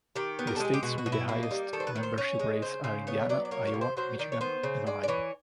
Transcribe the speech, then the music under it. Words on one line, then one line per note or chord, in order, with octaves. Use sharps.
The states with the highest membership rates are Indiana, Iowa, Michigan, and Ohio.
D#3 G4
B3
A#4
A4
G#3 G#4
G4
B2 F#4
F#4
B2
E4
A#3 E4
D#4
G3
D#3 A4
C5
B4
D#3
C5
C#4 C#5
G#3
C#3 C5
C#3 C5
B3 C#5
F#3 D5
D5
A#3 C#5
C#5
C3
C5
F#3 C5
D#3 D5
C#5
B3 C5
C#3
G#3 D5
D5
E3 C#5